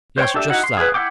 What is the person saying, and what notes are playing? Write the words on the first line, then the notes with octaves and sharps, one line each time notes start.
Yes, just that.
C5 C#5 G5 C6
D4 G4 A4 E5 A5
D#4 E4 F#4 F#5
C6
G#4 B4
E4 F#5 G5 D6